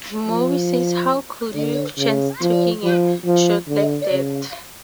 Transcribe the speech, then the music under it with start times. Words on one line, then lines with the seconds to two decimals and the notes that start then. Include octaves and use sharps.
Moe says, How could you chance taking a shot like that?
0.27 F3
1.55 D3
1.98 C#3
2.41 F3
2.83 F3
3.26 F3
3.69 D3
4.12 C#3